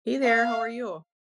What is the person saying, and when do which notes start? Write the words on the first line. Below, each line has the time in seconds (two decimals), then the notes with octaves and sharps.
Hey there, how are you?
0.24 F5